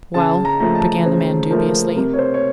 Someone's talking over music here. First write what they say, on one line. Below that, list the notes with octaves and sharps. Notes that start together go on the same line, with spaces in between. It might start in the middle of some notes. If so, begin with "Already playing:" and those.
"Well--" began the man dubiously.
C#3 A5
A#5
F3 A3 A#5
A5
C#3 C5
F3 A3 A#4
C3 A#4
C#5
C5
C#5